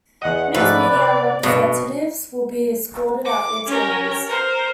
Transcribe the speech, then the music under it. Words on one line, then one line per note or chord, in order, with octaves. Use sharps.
News media representatives will be escorted at all times.
E2 D#5 F#5
G#2 F3 A3 B4 D5
C3
G2 B2 D4 F#4
D6
C#4 G4 A#4
A#4 C5